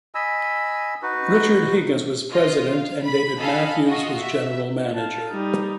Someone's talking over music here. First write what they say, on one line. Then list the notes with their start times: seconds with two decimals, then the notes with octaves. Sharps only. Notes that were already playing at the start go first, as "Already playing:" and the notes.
Richard Higgins was president and David Matthews was general manager.
0.15 D#5 G#5 B5 E6
1.02 D#4 F#4 B4
2.32 F4 D#5
2.72 F5
3.03 B5
3.39 A4 D#5 F5 G#5 B5
3.87 F4 F#4 D#5
4.20 E5
4.94 F5 A5
5.29 G3 D#4